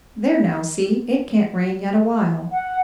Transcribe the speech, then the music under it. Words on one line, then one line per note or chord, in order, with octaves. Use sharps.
"There, now, see, it can't rain yet awhile."
F#5